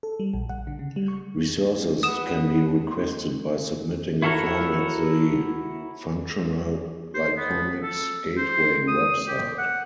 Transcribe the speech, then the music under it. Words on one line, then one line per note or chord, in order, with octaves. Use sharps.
Resources can be requested by submitting a form at the Functional Glycomics Gateway website.
A4
G3
A#1
F#5
D3
C#3
G3
C#6
B4 F#5 D#6 E7
E4 F#4 A4 A#4 C#5
C5
B3
A4
C5
D#6
G4
F#5